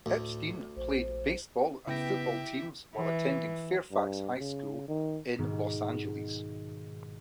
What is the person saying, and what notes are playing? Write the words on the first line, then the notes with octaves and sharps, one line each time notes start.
Epstein played baseball and football teams while attending Fairfax High School in Los Angeles.
D2 A2
A#1 C5
C#3 B3 E4 G4 E5 G5 A#6
E3
G2
C#3
D#3
G#2 B2 D#3